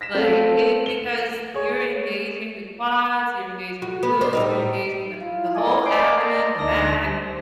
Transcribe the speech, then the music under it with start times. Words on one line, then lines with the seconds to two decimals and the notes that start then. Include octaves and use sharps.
like, it because you're engaging the quads, you're engaging the glutes, you're engaging the the whole abdomen, the back,
0.01 A#6 B6 E7
0.15 A3 C4 A4 F5
0.86 C#7 G7
1.54 G#4 C#5
3.82 F#4
4.03 B3
4.21 D4 C5
4.33 A2 G3 D#4
5.21 E4 F4
5.55 E4 A4 D5 D#5 G#5
5.86 D5 D#5 G5 G#5 C6 D6
6.21 A#4 D5 D#5 A5 A#5
6.59 D2 D3 D#4 D5 D#5 A#6
7.03 G3 C5